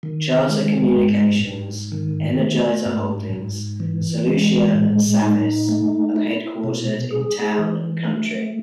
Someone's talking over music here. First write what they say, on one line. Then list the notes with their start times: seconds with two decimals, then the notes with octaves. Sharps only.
Charter Communications, Energizer Holdings, Solutia and Savvis are headquartered in Town and Country.
0.03 D#3
0.50 G#3
0.96 G#2
1.44 G#2
1.92 D#3
2.39 A3
2.86 G#2
3.33 G#2
3.80 E3
4.28 G#3
4.74 A2
5.22 D#4
5.69 A3
6.16 E4
6.64 B2
7.11 G#4
7.58 E3
8.05 A3